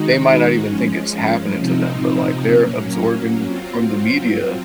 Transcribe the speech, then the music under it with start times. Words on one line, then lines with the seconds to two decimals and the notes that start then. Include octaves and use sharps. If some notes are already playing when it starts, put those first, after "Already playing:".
they might not even think it's happening to them, but, like, they're absorbing from the media.
Already playing: D#3 G#3 D#4 F#4
0.67 F3 G#3 C#4
1.59 C3 F3 C4 D#4
2.52 F#3 A#3 C#4
3.45 F#3 C4 F4